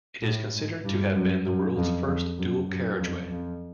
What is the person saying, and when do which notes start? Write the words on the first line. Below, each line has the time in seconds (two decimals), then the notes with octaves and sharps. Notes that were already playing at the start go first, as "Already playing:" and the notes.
It is considered to have been the world's first dual carriageway.
0.22 A2
0.53 G#2
0.84 G2
1.14 F#2
1.46 F#2
1.76 F2
2.07 F2
2.38 F#2
2.68 F#2
2.99 F2
3.30 F2